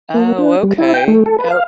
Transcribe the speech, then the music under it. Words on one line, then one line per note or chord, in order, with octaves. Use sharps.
Oh, okay. Oh,
A#3
D4
G3
E4
G5
A3
A4
B4
F5